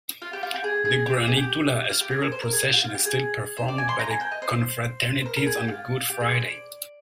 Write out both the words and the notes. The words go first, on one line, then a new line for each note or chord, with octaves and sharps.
The granitula, a spiral procession, is still performed by the confraternities on Good Friday.
F4
G4
F4
G4
G#4
G#4
G4
G#4
G4
F4
G4
G#4
A#4
C5
A#4
G#4
G4
F4
F4
G4
G#4
C5
D5
G#5
C6
A#5
G#5
G5
D#5
C5
C5
A#4
A#4
G#4
G4
F4
G4
G#4
C5
D5